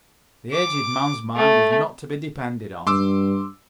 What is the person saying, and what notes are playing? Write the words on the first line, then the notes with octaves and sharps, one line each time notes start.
The aged man's mind was not to be depended on.
D6
A3
G2 C6 D6 E6